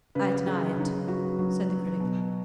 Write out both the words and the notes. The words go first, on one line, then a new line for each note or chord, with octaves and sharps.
"I deny it," said the Critic.
C#3 B4
F#3 G#4
C#3 D#4
F#3 F#4
F#3
F#3
B2